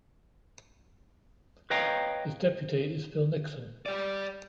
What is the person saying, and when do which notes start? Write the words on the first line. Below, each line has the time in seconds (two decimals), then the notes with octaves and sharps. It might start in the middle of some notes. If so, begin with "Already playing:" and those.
His deputy is Phil Nixon.
1.70 B4 C#5 D#5 F5 G5 A#5
3.86 G3 D5